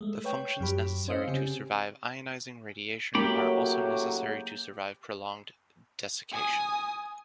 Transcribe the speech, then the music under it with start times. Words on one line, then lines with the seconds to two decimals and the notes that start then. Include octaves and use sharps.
The functions necessary to survive ionizing radiation are also necessary to survive prolonged desiccation.
0.01 G#3 A3
0.24 B4 C#5 G5
0.60 F#2 F#3 G4 B5
1.08 C#4 C5 D#5 F5 E6 C#7
1.28 C#3 C4 C#4 G4
3.15 A2 C#3 F#3 A#3 G4 G5 B5
6.32 G#5 D#6